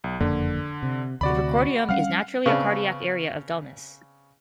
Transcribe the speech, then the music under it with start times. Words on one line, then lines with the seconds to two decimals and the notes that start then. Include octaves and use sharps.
The precordium is naturally a cardiac area of dullness.
0.04 B1
0.20 F#1 F2 D3 A#3
0.83 C3
1.21 D2 C3 F#4 D5 B5
1.89 G3 G#3 C#4 F5 F#5 F6
2.46 C#3 B3 C4 D4